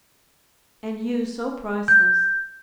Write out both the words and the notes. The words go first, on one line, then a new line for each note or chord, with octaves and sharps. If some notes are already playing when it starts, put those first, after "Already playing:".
And you so priceless!
G6